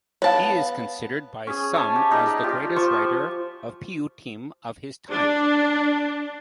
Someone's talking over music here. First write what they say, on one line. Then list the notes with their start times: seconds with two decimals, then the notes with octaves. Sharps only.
He is considered by some as the greatest writer of piyyutim of his time.
0.22 B3 C#5 F5 A5
1.47 C#4 G#4
1.74 C#5 E5 G#5 A5
1.96 G4
2.11 G3 D#4 G4 G#4
2.43 F4 G4 D5
2.76 F3 F4 C5 C#6
5.10 D4